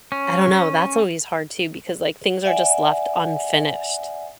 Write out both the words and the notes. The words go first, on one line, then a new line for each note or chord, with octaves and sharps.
I don't know. That's always hard too because like things are just left unfinished
C#4
D5 E5 F#5 G#5